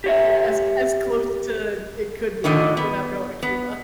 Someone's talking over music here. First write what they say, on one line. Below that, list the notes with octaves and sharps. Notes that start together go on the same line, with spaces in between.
Yes, as as close to it could be without going to Cuba.
G4 C#5 E5
A2 D3 D#3 D#5
B3
B3